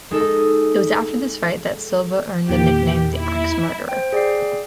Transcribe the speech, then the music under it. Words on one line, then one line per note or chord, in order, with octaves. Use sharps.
It was after this fight that Silva earned the nickname "The Axe Murderer".
G#3 D#4 A4
E2 A#2 D#3 A#3 G4
E4
C5 G5
G#4 D5 G5 C7